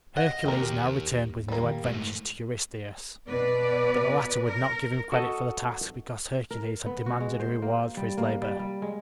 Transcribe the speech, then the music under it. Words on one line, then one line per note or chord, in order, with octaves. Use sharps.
Hercules now returned with new adventures to Eurystheus; but the latter would not give him credit for the task because Hercules had demanded a reward for his labor.
D#5 F#5
D#2 G4 A#4
G3 A#3
G#2 A3
B2 B4 D5
A#4
F#4 A4 D#5
A#4
B3
F#4
G#3
C5
A#3
G3
A#3
G3
G3
G#3